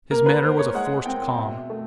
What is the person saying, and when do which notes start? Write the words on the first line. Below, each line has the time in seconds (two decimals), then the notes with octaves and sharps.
His manner was a forced calm.
0.11 A#3 A#4
0.26 B4
0.43 A#3 C5
0.59 C#5
0.74 G#3 F#5
1.06 C4 G5
1.38 B2 E5
1.70 A3